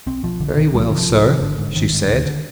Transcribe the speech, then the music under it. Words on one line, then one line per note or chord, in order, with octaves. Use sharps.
"Very well, sir!" she said.
B1 C4
B2 F3
B1 D3
B2 D#3
C2 G3
F3
C3 D#3
F3
C2
C3
G#1 D3
G#2
G#1 D#3
G#2
D2
D3